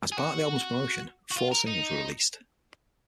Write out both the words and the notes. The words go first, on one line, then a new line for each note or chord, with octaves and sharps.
As part of the album's promotion, four singles were released.
G#4
F#4
F#4
F4
A#4
D#4